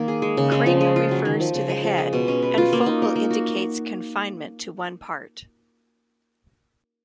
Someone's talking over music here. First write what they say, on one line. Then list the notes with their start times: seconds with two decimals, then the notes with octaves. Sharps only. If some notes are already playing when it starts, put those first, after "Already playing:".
Cranial refers to the head and focal indicates confinement to one part.
Already playing: D#3 A#3
0.08 G#4
0.22 G#3
0.37 C#3
0.52 G#3
0.66 F3
0.81 G#3
0.96 F4
1.11 F#3
1.25 D#3
1.40 F3
1.55 C#3
1.69 G#3
1.84 F3
1.98 G#3
2.13 B2
2.28 C#4
2.42 B4
2.58 F4
2.73 A#3
2.86 D#4
3.02 A#4
3.16 A#3
3.31 F#4